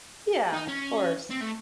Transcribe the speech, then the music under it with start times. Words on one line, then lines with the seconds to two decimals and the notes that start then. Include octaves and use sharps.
Yeah, of course.
0.54 D#4
0.68 C#4
1.30 C4
1.41 A3